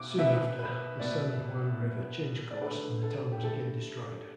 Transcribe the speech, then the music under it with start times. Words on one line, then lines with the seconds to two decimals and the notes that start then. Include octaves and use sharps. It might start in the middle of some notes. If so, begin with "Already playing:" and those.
Soon after, the San Juan River changed course and the town was again destroyed.
Already playing: B2 D6
0.18 B2 B3 E5
0.59 B4
1.00 B2 B3 D5
1.80 B2 B3
2.51 D5
2.62 D3 A3 B4
3.03 A4
3.32 G4
3.43 D3 A3 A4